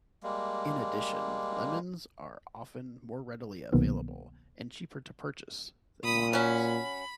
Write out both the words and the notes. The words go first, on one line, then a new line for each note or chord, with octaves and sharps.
In addition lemons are often more readily available, and cheaper to purchase, than limes.
G3 G#3 A#3
C2 B2 D#3 F#3 A#3 B3
A#2 B5 D#6
F#3 C#4 B5